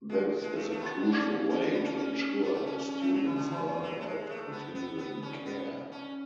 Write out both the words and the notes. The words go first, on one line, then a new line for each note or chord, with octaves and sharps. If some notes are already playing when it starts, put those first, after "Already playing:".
This is a crucial way to ensure the students learn about continuing care.
G#3
G#3
A3
A3
B3
D4
C#4
C#4
D4
B3
C#4
C#4
C#4
B3
A3
C#4
C#4
C#4
A3
F#3
E3
D3
E3
E3
F#3
A3
G#3
A3
B3
B3
B3
C#4
B3
C#4